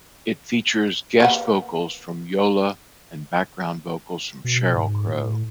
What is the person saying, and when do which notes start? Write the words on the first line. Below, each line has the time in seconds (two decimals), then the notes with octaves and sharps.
It features guest vocals from Yola and background vocals from Sheryl Crow.
1.20 A#3 B3 F#5
4.44 B2
4.76 G#2
5.08 A2